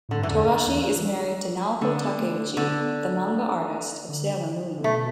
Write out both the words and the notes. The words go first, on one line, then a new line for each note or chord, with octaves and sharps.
Togashi is married to Naoko Takeuchi, the manga artist of "Sailor Moon".
A2 D3
G2 E3
E2 D3
E2
E3
G3
D3 A3
B3
A3
A3
D3 B3
A3
D3
D3
B2 A3